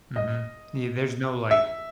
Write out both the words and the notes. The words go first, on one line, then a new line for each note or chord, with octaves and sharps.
mhm, yeah, there's no, like
D#5
E5